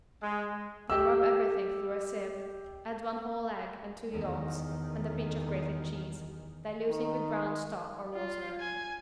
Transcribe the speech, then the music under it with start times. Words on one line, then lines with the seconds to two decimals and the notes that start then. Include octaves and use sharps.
Then rub everything through a sieve, add one whole egg and two yolks and a pinch of grated cheese, diluting with brown stock or water.
0.22 G#3
0.90 G4 E6
4.12 E2 D#3
6.89 D#3
8.14 F4
8.60 G#5